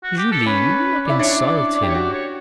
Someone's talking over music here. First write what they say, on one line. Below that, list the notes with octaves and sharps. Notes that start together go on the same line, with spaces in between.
"Julie--you need not insult him."
F#4
G4
A4
C#4 B4
E4 D5
D4 C#5
D5
D5
D5
G4
C#5
F#4 D5
C#5